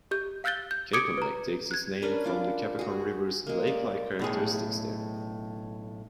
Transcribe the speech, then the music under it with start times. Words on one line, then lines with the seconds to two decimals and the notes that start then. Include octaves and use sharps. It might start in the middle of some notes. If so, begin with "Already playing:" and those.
Capon Lake takes its name from the Cacapon River's lake-like characteristics there.
0.11 G4 G6
0.44 F5 E6 F#6 G6 A6 G7
0.71 G6
0.93 D6 D#6 G#6 C#7 D7
1.18 B4 A#5
1.71 F#6 G#6
2.02 C#4 D4 A#4 B4
2.24 D4 F4 D6
2.79 F#4 G#4
3.46 G#3 A#3
3.67 D5
4.19 B1 A2 G#4